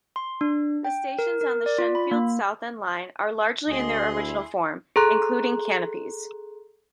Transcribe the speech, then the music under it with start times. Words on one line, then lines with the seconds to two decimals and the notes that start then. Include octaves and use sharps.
The stations on the Shenfield-Southend line are largely in their original form, including canopies.
0.16 C6
0.41 D4
0.85 G5
1.19 A#4
1.41 A#4
1.66 D5
1.78 F4
1.95 B5
2.11 A#3
3.68 D2 G#4 D#5 C6
4.15 E4
4.96 G#4 A4 A#5 C6 F#6